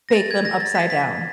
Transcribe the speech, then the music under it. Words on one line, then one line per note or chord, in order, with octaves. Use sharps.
bake them upside down.
A#6
A6
G#6
A#6
A6
B6
B6